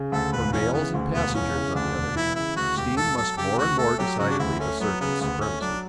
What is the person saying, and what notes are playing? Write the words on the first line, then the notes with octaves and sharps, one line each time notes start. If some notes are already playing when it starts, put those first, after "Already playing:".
For mails and passengers, on the other hand, steam must more and more decidedly assert its supremacy.
Already playing: C#3
D2 A4
E1 B4
E3 C#4
C#3 B3
D2
E1 B3
E3 C#4
C#3
D2 D4
E1
E3 E4
C#3 E4
D2 F#4
E1 G4
A3 A4
F#3 A4
C#3 G4
D2 F#4
A3 A4
F#3 G4
C#3 F#4
D4
D2 E4
A3 C#4
F#3 B3
C#3 B3
D2 B3
A3 C#4
F#3 D4